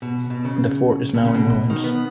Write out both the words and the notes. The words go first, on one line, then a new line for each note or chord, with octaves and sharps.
The fort is now in ruins.
B2
B2
C#3
B2
C#3
B2
D#3
B3